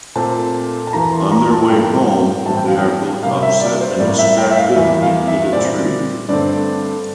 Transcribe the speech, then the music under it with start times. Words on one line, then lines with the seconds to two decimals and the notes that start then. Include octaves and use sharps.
On their way home, they are both upset and distracted and hit a tree.
0.16 A#2 A3 C4 A5
0.87 A5
0.93 E2 E3 A#3 A#5
1.12 C6
1.32 A#5
1.50 A5
1.69 A2 G3 A#3 G5
2.46 A2 E3 G3 C4 A5
2.56 G5
2.67 F5
2.78 G5
3.23 C3 G3 A#3 F5
3.42 E5
3.61 D5
3.81 C5
3.99 A2 G3 A#3 D5
4.18 E5
4.38 G5
4.51 E5
4.57 F5
4.76 E2 E3 G3 A#3 E5
5.02 F5
5.27 E5
5.52 A#2 G3 C4 D5
6.29 G2 D3 A3 C4 D5